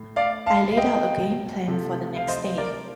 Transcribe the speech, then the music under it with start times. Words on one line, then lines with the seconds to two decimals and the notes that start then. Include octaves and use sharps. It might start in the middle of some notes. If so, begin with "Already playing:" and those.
I laid out a game plan for the next day.
Already playing: A2
0.16 D5 F5
0.46 F5 A5
0.72 F5
0.77 D#5 G5
1.68 C3 F3 A3
2.16 F5
2.28 C5 D#5
2.58 A#4 D5